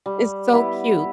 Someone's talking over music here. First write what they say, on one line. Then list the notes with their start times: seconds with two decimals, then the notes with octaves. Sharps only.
It's so cute
0.06 G3
0.52 B3 E4 B4